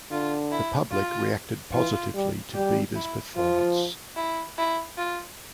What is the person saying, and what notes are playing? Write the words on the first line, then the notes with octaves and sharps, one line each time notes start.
The public reacted positively to Beavers' performance.
D3 F4
E4
F4
E3 F4
G3
G3 G4
E4
F3 F4
E4
E4
F4